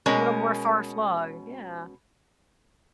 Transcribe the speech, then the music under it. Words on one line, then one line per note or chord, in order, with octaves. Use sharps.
A little more far-flung, yeah.
B2 G#3 C#4 A#4